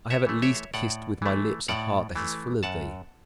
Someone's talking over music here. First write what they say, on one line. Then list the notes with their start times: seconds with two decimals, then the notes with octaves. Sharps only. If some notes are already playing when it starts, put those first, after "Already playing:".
I have at least kissed with my lips a heart that is full of Thee.
0.10 C#5 E5
0.27 E3 A3
0.42 C#5 E5
0.74 A2 D5 F#5
1.22 E3 A3
1.68 A2 D5 F#5
2.16 E3 A3
2.63 F#2 F#5 A5